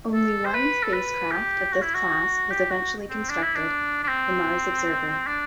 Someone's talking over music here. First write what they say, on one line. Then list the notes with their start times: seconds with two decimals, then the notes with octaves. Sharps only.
Only one spacecraft of this class was eventually constructed-the "Mars Observer".
0.14 A4
0.45 C5
0.54 B4
0.84 A4
0.93 B4
1.32 G4
1.72 F#4
1.82 E4
1.94 F#4
2.51 G4
2.70 F#4
3.09 C4
3.30 D4
3.42 E4
3.55 D4
4.04 D4
4.08 C4
5.27 D4